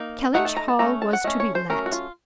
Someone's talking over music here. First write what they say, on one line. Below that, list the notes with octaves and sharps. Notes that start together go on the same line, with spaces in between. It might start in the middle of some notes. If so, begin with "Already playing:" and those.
Kellynch Hall was to be let.
Already playing: A#3 D#4
A3 D#4 F#5
A5
A#5
A5
A3 C#4 A#5
A5
F#5
A3 C#4 D#5
C#5
C5
F#3 A3 C#4 A#4
F#4
F4